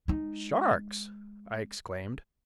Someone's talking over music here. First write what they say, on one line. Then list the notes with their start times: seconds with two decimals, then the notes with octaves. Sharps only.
"Sharks?" I exclaimed.
0.08 G#3 D#4